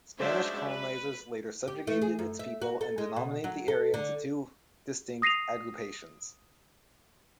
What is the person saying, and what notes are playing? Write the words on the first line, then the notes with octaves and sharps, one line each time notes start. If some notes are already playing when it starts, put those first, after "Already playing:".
Spanish colonizers later subjugated its people and denominated the area into two distinct aggrupations.
F#3 G#3 C#4 D4 C5 E5
B4
G4
A3
G#4
F#2
E5
F#4
A4
G#3
B2
F#3
A4
D3
D#6 A#6 C7 D#7 F7